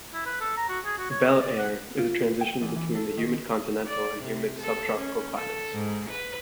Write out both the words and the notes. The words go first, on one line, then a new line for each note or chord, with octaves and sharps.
Bel Air is a transition between the humid continental and humid subtropical climates.
E4
B4
A4
A#5
F#4
G#4
F#4
C#5
D#5
D5
F#5
F4
G5
E2
E3
A4
D#3
D5
C3
A4
C#4
A4
G#2
B4